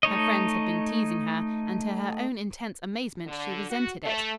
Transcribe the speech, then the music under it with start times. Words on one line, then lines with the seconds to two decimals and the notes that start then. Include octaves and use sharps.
Her friends had been teasing her; and, to her own intense amazement, she resented it.
0.03 A3 D#4 C#5 D#5
3.26 D3
3.69 F#4
4.03 A3